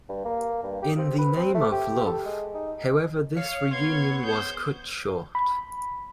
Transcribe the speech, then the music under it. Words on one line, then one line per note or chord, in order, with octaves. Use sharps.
In the Name of Love, however this reunion was cut short.
G2
A#3
G2
G4
C4
B4
C4
A3
G4
A4
G#3
D#4
C#5 F5
B3 C6 G#6
G#4 C5 G6
B5